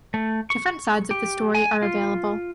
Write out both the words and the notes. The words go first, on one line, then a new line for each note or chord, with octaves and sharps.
Different sides of the story are available.
A3
C#6
G4
G#5
F4